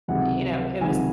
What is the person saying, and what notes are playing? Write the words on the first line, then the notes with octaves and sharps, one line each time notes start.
you know, it was
C#2 C3 D#3 F#3 F#5
C#2 C3 D#3 F#3 G#5